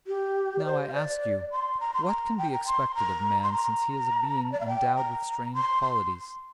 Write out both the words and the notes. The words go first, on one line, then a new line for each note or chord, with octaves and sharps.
Now I ask you: what can be expected of man since he is a being endowed with strange qualities?
G4
D5
C5
F5
D5
C6
A#5
C6
A#5
G5
A#5
C6
A#5
C6
A#5
D5
F5
G5
A#5
C6
C6